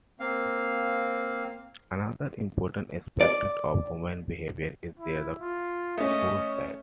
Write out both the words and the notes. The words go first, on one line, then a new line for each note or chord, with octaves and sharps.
Another important aspect of human behavior is their "core faith".
A#3 C4 F5
D5
E4
F4
A3 C#4 D#5